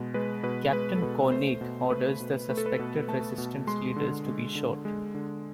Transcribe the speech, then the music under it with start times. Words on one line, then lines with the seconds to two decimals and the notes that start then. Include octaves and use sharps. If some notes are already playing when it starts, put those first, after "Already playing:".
Captain Koenig orders the suspected resistance leaders to be shot.
Already playing: B2 G#3
0.14 G#3 B4
0.43 B2 B4
0.73 G#3 B4
0.96 A4
1.02 B2 B4
1.32 A3 C5
1.61 B2
1.90 A3 B4
2.20 B2
2.49 A3 B4
2.57 A4
2.66 B4
2.79 B2
3.08 A3 A5
3.38 B2
3.67 G#3 C6
3.96 D3
4.26 G#3
4.55 D3
4.85 G#3
5.14 D3